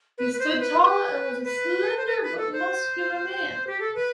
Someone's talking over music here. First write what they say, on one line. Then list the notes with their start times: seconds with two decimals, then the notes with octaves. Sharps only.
He stood tall and was a slender but muscular man.
0.18 B4
0.33 B4
0.39 C5
0.52 C5
0.60 B4
0.81 B4
1.44 B4
1.97 C5
2.06 B4
2.22 B4
2.38 A4
2.53 C5
3.67 G4
3.81 A4
3.95 B4